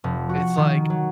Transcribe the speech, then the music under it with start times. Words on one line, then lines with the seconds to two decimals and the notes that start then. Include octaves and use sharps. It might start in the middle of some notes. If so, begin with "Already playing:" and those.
it's like,
0.04 F1
0.29 F#4
0.57 D#3
0.90 F#3